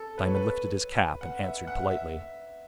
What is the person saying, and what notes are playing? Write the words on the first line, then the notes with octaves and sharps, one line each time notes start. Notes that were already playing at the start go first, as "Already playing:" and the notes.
Diamond lifted his cap, and answered politely.
Already playing: A4
B4
C#5
B4
F#5
E5
F#5
E5